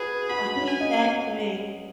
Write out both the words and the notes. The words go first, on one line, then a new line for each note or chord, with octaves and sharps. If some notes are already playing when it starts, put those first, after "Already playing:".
I hate vacuuming.
Already playing: F#4 G#4 B4
F#4 B5
C#4
G#5
D#5